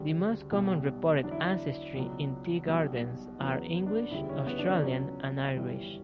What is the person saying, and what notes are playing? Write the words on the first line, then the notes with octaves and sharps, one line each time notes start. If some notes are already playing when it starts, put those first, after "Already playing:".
The most common reported ancestries in Tea Gardens are English, Australian and Irish.
Already playing: D2 C#3 G3
B1 B2 G3
E2 D3 F#3 D4
E4
D4
C#2 B2 F#3
B1 B2 G3
E2 C#3 F#3 B3
D4
E1 D2 C#3 G3 E4
C#4
B3
D4
C#4
C#2 B2 F#3
G1 G2 E3 G3